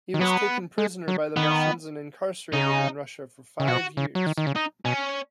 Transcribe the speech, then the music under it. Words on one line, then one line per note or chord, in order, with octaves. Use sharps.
He was taken prisoner by the Russians and incarcerated in Russia for five years.
D#3
F#3 B3
G#3
F#3
D#3 B3
C#3 D#4
C#3
B2 F#4
C#3
F#3
D#3
D#3
C#3
D#4
B2 C#4